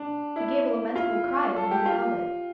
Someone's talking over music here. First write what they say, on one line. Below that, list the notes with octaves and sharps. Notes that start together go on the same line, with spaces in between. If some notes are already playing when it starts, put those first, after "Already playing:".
He gave a lamentable cry when he beheld it.
Already playing: D4
E4
F4
A4
G4
F4